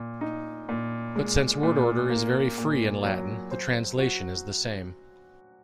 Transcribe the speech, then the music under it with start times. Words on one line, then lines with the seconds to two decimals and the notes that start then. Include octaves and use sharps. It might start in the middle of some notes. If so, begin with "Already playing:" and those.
But since word order is very free in Latin, the translation is the same.
Already playing: A#2
0.21 D#4
0.69 A#2
1.16 G#3
1.63 A#2
2.10 A#3
2.58 A#2
3.04 F#3
3.51 C5
3.99 F#4